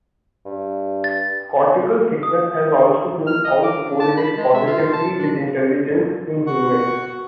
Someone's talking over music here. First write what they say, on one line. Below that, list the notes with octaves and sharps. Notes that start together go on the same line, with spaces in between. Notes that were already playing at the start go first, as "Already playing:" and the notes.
Cortical thickness has also been found to correlate positively with intelligence in humans.
G2
A6
D#6
F6
D#5
D6
D4
A5
B5
G#3
E5
F4
A5
D4
F#4 F#5 C#6